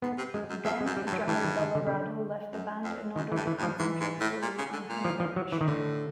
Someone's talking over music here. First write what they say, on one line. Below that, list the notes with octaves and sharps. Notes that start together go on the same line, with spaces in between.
Then drummer Bellorado left the band in order to concentrate fully on Converge.
G#2 B3
C3
F#2 G#3
F#2
F2 G#3
G#3
F#2
G3
G2
F#3
G2 E3
D#3
D#3
D3
C#3
D3
F#2
F2
F#2 D#3
E3
G2
E3
G2
F3
G#2 E3
G#2
A2
A#2
C#3
D3
A#2
F3
F3
F#3
E3
D#3
A2 D3